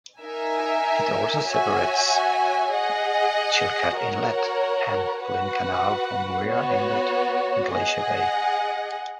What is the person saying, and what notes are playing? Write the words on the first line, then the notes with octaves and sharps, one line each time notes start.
It also separates Chilkat Inlet and Lynn Canal from Muir Inlet in Glacier Bay.
D#4 A#4 E5 G#5
F#4 C#5 E5 G#5
G#4 D#5 F#5
F#4 A#4 C#5 F#5
F#4 B4 F#5
B3 F#4 C#5
G#4 D#5 F#5